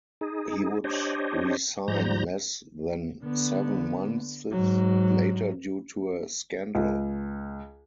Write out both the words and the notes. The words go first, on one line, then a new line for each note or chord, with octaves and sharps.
He would resign less than seven months later due to a scandal.
D#4 G#4
D4 G4 C5 C#5 D#5
G#2 F3 G3 A#5 G6 A#6
D3 B3
G#2 F#3
C#2